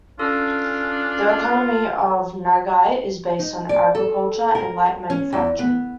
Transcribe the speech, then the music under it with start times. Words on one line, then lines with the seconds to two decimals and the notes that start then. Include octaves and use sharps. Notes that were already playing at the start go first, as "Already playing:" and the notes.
The economy of Nagai is based on agriculture and light manufacturing.
0.19 C#4 D4 F4 A4
3.39 D#4
3.69 D5
3.95 A4
4.55 A#4
5.10 C#4
5.33 E2
5.59 B3